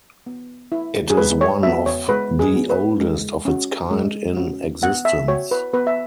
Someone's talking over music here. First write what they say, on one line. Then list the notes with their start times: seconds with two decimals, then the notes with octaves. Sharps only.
It is one of the oldest of its kind in existence.
0.26 B3
0.72 E4
1.10 G#4
1.17 G#3 B4
1.41 C#5
1.63 B3 F#4 E5
1.86 C#5
2.09 G#3 B4
2.39 G#4
2.54 B3 F#4
2.70 B4
3.00 G#3
3.45 C#4 F#4
3.91 G#3
4.37 C#4 F#4
4.82 B3 F#5
5.05 E5
5.28 F#4 C#5
5.51 B4
5.73 B3 B4
5.87 E5